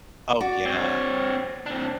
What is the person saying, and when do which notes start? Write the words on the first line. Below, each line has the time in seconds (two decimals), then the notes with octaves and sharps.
Oh, yeah.
0.40 F#4 D5
0.66 C4 C#5
1.66 C4 D4